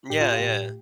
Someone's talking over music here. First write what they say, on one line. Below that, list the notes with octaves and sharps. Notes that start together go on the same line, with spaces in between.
Yeah, yeah.
A2 G4
F4
G4
A2